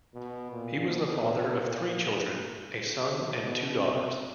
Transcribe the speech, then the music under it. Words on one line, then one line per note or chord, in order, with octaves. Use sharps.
He was the father of three children, a son and two daughters.
B2
A#2
B2
A#2
B2
B2
C3